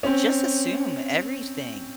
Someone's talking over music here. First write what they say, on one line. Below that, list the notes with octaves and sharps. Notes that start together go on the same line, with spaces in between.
just, assume everything
C4 C#4